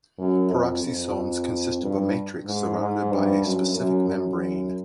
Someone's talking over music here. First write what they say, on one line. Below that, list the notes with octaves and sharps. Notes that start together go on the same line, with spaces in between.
Peroxisomes consist of a matrix surrounded by a specific membrane.
F#2
F2
F2
G2
G#2
G#2
G2
F#2
F#2
F#2